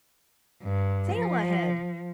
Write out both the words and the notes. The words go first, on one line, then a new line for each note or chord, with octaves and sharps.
"Sail ahead!"
G2
F3